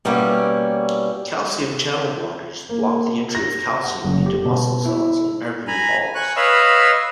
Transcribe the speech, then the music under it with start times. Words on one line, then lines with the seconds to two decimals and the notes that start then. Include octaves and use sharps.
Calcium channel blockers block the entry of calcium into muscle cells in artery walls.
0.05 B2 G3 A#3 C#4 E4
2.69 A#3
3.35 A#6
3.84 F#5
4.04 F#1
4.26 G4
4.45 B2
4.85 E4
5.67 G#5 A#5 B5
6.15 G#5 C#6 F#6
6.36 B4 C#5 D#5 F5 B5 E6